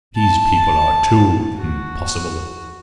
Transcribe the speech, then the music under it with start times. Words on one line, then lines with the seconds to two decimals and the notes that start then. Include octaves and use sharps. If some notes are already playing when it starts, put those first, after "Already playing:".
These people are too impossible.
0.16 A5
1.58 F#4